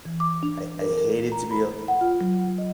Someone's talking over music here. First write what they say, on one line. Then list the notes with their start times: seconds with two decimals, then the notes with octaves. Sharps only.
I I hated to be a
0.05 E3
0.20 D6
0.43 D4
0.81 A#4
0.98 A#4
1.32 A#5
1.51 B5
1.88 F#5
2.01 F4
2.21 F#3
2.58 D#5